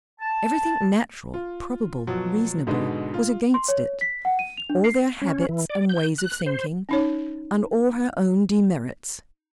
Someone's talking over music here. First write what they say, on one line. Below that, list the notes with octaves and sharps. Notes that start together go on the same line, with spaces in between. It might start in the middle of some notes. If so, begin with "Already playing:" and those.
Everything natural, probable, reasonable, was against it; all their habits and ways of thinking, and all her own demerits.
A5
F4
B2 F3 F#3
G#2 B2 D3 G#3 D#4
F4
C6
C#5
B6
F#5
D#7
F7
D4
C7
C#4
E3
D5
G6
F#6
C5
C#4 D#4 C#5